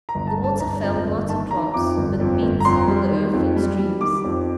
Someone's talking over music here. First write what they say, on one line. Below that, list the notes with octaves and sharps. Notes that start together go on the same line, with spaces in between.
The water fell not in drops, but beat on the earth in streams.
A#5
G1
A5
G1
A5
G1 A#5
F2
G1
D#3 A5
D#3 A#5
F2 D6
G1
F2
G1
A#5
F2 C6
G3
D#3
F2
G3
G3
D#3 D6
F2